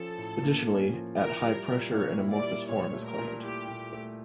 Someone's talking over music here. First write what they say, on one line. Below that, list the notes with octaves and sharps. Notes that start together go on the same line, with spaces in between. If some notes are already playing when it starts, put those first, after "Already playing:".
Additionally at high pressure an amorphous form is claimed.
Already playing: F3 C#4 A4
A2
A#3
C#4
F3
E4 A#4
G3
A#2
A#3 C#5
E4
D5
G3
A#2 C#5
A3
A#4
A#2
E4 G4
A#2
A3